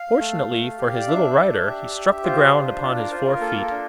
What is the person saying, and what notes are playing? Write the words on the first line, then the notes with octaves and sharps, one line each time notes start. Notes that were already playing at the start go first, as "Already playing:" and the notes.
Fortunately for his little rider he struck the ground upon his four feet.
Already playing: F5
A3
A3
G4
D5
D4 E5
D4
G4
G4
F4 C5
D4
F4
A#4
F4 C5
A#4
A#3 A4
A#4
D4